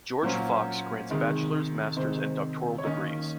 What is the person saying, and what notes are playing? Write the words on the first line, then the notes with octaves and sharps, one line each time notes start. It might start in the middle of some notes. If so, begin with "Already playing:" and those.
George Fox grants bachelor's, master's, and doctoral degrees.
A#2 F#3 A#3 C#4 C5
C3 D#3 G#3
C3 D#3 G#3 C5
C#5
D#3 A#3 C#4 D#5